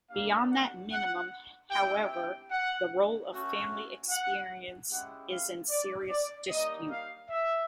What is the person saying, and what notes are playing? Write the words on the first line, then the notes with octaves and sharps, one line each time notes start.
Beyond that minimum, however, the role of family experience is in serious dispute.
A#3 D4 G4 F5
F#5
F#5
C4 E4 G4 G5
G5
F#5
A3 C#4 F#4
F#5
G#3 C#4 E4 G4 F#5
F5
D5
D5
G3 A#3 D#4 D#5
F5
E5